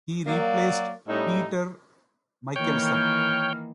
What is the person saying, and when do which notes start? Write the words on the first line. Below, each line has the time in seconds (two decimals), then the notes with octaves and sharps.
He replaced Peeter Michelson.
0.27 F#3 A#3 D5
1.08 A2 G3 C#4 D#4
2.56 D#3 E3 A#3 C#5 G5 F6